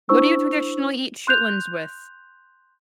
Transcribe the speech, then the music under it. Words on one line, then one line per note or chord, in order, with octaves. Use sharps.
What do you traditionally eat chitlins with?
D4 E4 C5 C#6 E6
C6 F#6 G6 F7